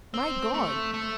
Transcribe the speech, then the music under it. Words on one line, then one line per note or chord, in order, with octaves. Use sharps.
My God!
C4
A3
A3